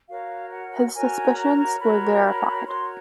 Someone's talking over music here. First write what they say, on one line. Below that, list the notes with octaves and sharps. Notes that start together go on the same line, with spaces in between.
His suspicions were verified.
F#4 A#4 C#5 F5
F#5
F#4 A#4 C#5 G#5
A#5
F#4 A#4 C#5 B5
B5
F#4 A#4 C#5 C6